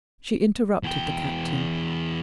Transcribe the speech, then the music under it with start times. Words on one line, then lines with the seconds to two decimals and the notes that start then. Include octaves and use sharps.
She interrupted the Captain.
0.83 E2 G5